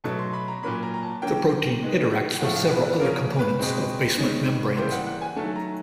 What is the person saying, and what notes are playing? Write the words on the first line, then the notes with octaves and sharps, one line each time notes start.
The protein interacts with several other components of basement membranes.
B2 F#3 A3 A5
C6
B5
A#5
A#2 F#3 A#3 C#4 B5
A#5
A#5
A5
D3 F#3 A#3 C#4 G5
D#3 G#3 B3
A2 F3 A3 C#4 F#5
F5
B4
B4
C#3 F3 A#3 C#4 A#4
B4
B2 G#3 C4
D#3 G#3 C#4
C#3 E3 G3 A#3 C5
F#5
F#5
G#5
D#3 F#3 A3 A5
A#5